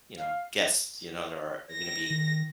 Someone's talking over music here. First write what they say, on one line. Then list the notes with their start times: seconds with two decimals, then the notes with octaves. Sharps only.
you know, guests, you know, that are are gonna be
0.17 F5
1.72 A#6
2.10 D#3